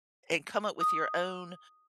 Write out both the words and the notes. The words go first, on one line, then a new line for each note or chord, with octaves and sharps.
and come up with your own
D#6